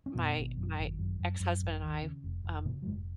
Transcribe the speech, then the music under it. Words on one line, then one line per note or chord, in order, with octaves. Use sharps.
my my ex-husband and I, um,
C#4
F#2 B2 B3
G#1
F#2
G#1
F#2
F#2
F#2
G#1
D#2
C#3
F1
F1
A#2 C#3 A#3
F#3
F1 G#2 G#3